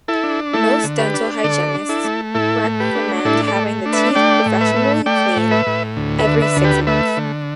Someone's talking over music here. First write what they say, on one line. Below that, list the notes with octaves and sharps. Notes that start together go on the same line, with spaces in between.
Most dental hygienists recommend having the teeth professionally cleaned every six months.
E4 A4
D4
A3 E4 A4
D3
G4 B4
D4
D3 A4 D5
D4
E4 A4
A3
A2 E4 A4
A3
G4 B4
D4
A2 E4 A4
A4 D5
A3
D4
B4 E5
A3 D5 G5
A2
B4 E5
A3
A3 D5 G5
A2
B4 E5
A2
D2
B4 E5
D3
B4 E5
D2
G4 B4
A3 B4 E5
D3